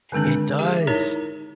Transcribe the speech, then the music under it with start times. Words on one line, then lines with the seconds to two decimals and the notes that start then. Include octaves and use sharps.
It does.
0.12 D3 D#3 G#3 C4 D4
0.59 G4 G#4 E5
0.87 D#4 E4 A#4 C#5